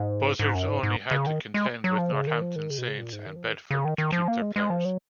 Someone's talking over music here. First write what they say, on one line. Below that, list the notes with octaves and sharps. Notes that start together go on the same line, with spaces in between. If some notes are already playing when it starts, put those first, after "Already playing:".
Buzzards only had to contend with Northampton Saints and Bedford to keep their players.
Already playing: G#2
G#2
F#2
G#2
G#2
C#3
D#3
G#3
F#3
F3
C#3
D#3
F3
D#3
C#3
B2
C#3
A#2
G#2
D#3
F3
D#3
C#3
D#3
D#3
F3
A#3
G#3
G#3
F3
F#3